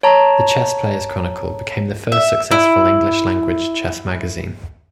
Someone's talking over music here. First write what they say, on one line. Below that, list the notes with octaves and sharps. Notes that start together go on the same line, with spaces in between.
The "Chess Player's Chronicle" became the first successful English-language chess magazine.
C#5 A5 A#5
E5
E4